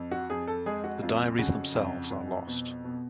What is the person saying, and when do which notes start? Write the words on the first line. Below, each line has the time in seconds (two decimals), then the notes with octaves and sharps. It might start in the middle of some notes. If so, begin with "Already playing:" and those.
The diaries themselves are lost.
Already playing: F2
0.11 F#4
0.30 F2 G#4
0.48 A4
0.66 G#3 G#4
0.84 F#4
1.03 F2 F4
1.39 C#3 F#4
1.75 F2
2.11 F2
2.47 B2
2.85 B2